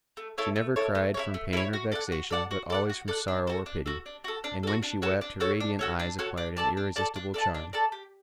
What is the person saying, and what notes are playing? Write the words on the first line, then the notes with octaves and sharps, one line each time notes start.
She never cried from pain or vexation, but always from sorrow or pity, and when she wept her radiant eyes acquired an irresistible charm.
A3
E4 A4 C#5
A3
E4 A4 C#5
A3
E4 A4 C#5
A3
E4 A4 C#5
F#4
A4 D5 F#5
F#4
A4 D5 F#5
F#4
A4 D5 F#5
F#4
A4 D5 F#5
D4
F#4 A4
D4
F#4 A4
D4
F#4 A4
D4
F#4 A4
D4
F#4 A4 C#5
D4
F#4 A4 C#5
D4
F#4 A4 C#5
D4
F#4 A4 C#5
D4
A4 D5 A5
D4
A4 D5 A5
D4
A4 D5 A5
D4
A4 D5 A5
G4